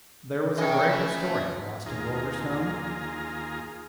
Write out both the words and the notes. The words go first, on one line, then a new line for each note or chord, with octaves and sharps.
There was a great historian lost in Wolverstone.
E3 C#4 G#4 D#5 G5
A3 E5
D#2 F4 G#4 A#5